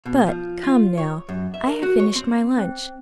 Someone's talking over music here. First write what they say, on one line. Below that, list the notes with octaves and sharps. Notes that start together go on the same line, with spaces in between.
But, come, now. I have finished my lunch.
B2
F3
F4
C#5
F#2
E5
A#4
F#4
C#5
C4
C4